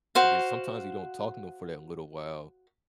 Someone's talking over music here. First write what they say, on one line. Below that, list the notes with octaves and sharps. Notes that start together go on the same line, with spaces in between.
and then sometimes you don't talk to 'em for that little while,
F#4 C5 F5